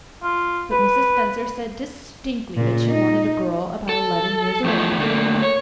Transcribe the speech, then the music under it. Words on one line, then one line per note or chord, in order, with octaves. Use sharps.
But Mrs. Spencer said DISTINCTLY that you wanted a girl about eleven years old.
F4
B4
A#2 C#3
D#4
A4
E2 A2 F3 B3 E4 A4
D3 A3 A#3
C#5